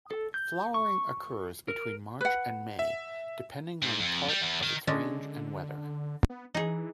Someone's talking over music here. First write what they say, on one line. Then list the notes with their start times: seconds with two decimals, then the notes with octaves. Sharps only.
Flowering occurs between March and May depending on part of its range and weather.
0.11 A4
0.34 G6
0.74 C#6
1.68 A#4
2.21 B4 F#5
2.79 E5
3.82 G#2
4.00 F2
4.29 G3
4.41 E2
4.63 D#3
4.87 D3 G#3 C#4 D4
6.30 B3
6.54 E3 D#4 G#4